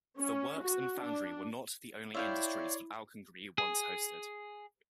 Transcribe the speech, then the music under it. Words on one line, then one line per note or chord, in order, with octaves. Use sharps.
The works and the foundry were not the only industries that Auchengree once hosted.
C#4
F#4
D4
E4 C#5 D5 E5 F5 G5 C6
G#4